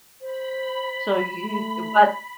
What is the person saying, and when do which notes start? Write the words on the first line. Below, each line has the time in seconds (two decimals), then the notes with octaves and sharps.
So you uh, what
0.21 C5 B5
1.43 A3